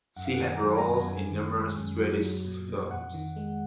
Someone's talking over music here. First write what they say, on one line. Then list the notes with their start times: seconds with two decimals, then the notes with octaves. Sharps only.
She had roles in numerous Swedish films.
0.16 F#2 F#5
0.25 F5
0.33 F#5
0.39 D#3
0.47 G#5
0.56 A#5
0.63 F#3 G#5
0.78 A#5
0.85 F#2
1.08 F#2 G#5
1.31 D#3
1.53 G#3
1.77 F#2
1.99 F#3
2.22 F#3
2.45 A#2
2.68 A#2
2.91 F2 F#5
3.14 D#3
3.36 G#3